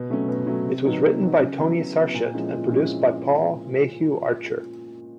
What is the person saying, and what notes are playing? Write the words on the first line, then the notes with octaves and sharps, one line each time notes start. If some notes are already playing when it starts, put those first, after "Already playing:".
It was written by Tony Sarchet and produced by Paul Mayhew-Archer.
Already playing: B2
F#3 A3 C#4
B2
F#3 A3 C#4
C3
D#3 F#3 B3 D#4
C3
D#3 F#3 B3 D#4
C#3
F#3 B3 E4
C#3
F#3 B3 E4
A#2
F3 G#3 C#4 E4
A#2
F3 G#3 C#4 E4